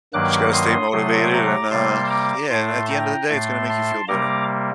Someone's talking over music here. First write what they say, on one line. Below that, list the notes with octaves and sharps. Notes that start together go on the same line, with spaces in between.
But you gotta stay motivated, and, uh, yeah, and at the end of the day, it's gonna make you feel better.
G2 D#3 F#3 A#3 D6 F#6
C6 D#6
C3 F#3 A3 C6 D#6
A#5 D6
C3 G3 A#3 A5 C6
A#5 D6
A2 A3 A5 C6
G5 A#5
A2 A3 A5 C6
A5 C6
C3 G3 A#3 A#5 D6